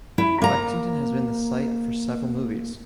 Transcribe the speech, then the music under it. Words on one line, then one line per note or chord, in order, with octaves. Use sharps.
Lexington has been the site for several movies.
E4
A#3 A#5